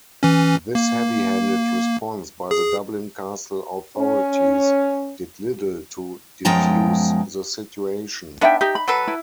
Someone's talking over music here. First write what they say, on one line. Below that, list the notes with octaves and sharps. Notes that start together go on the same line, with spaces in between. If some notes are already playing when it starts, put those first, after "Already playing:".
This heavy-handed response by the Dublin Castle authorities did little to defuse the situation.
E3 C#4
A#3
G#4
C#4
F#2 B2 F3 G#3 G5 A#5
B3 D4 D#4 E5 G5
D#4 G4
B5
F#3 A4 B4
E4